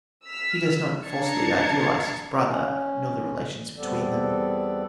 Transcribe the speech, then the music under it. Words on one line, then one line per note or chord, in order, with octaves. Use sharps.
He does not falsely idealise his brother, nor the relations between them.
E6 F6 B6
D4 A#5 G#6 A6 C7 C#7
C#4
E2 G3 B3 C4 A4 D5